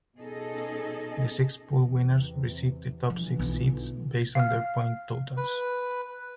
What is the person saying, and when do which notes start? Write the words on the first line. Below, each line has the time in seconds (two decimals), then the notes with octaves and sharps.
The six pool winners receive the top six seeds, based on their point totals.
0.18 B2 C#4 D#4 G#4 A4 D#5
1.65 E2 C3
3.10 B2 D3 E3 F3
3.39 B1 F4
4.35 F5 F6
5.37 B4